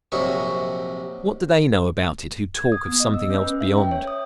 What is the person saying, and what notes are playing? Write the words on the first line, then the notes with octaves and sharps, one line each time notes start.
What do they know about it who talk of something else beyond?
A#1 C3 F#3 D#4 E5 C#6
G#6
D#6
B3
D#5
E6
C#4
B4
E5
G5
C#5
D#6